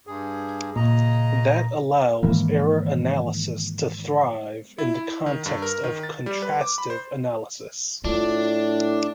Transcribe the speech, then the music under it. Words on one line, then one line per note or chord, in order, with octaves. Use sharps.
That allows error analysis to thrive in the context of Contrastive Analysis.
G2 G#4
A#2 C#3 D#5 A#5
G#2 D#3 E3 A#3
E4
E4
D#3
G2
A#4
D#3
A6
G3
B4
D6
B5
C5
A2 D4 F4